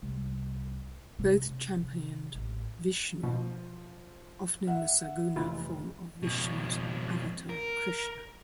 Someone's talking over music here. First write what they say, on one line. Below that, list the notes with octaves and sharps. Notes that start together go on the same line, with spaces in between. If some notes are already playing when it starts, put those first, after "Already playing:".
Both championed Vishnu, often in the "saguna" form of Vishnu's avatar Krishna.
C2
C3
C3
C3
A1
B2 F3
E5 F#5
F1 E3 E4 F4
F2 B2
A#4